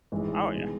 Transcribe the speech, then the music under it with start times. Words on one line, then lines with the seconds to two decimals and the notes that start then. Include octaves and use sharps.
Oh, yeah.
0.12 A1 G#2 E3 G#3
0.54 B2 G#3